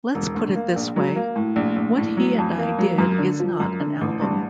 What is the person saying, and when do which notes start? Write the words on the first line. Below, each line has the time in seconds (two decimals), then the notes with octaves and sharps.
Let's put it this way... what he and I did is not an album.
0.15 E1
0.35 D2
0.55 A#3
0.76 A#1
0.96 F#3
1.16 A#3
1.36 A2
1.56 A#1
1.76 A#1
1.98 A2
2.17 F#3
2.38 F2
2.58 A#3
2.78 F#3
2.98 F#2
3.18 D3
3.40 F3
3.60 F#2
3.80 D3
4.01 A1
4.21 G2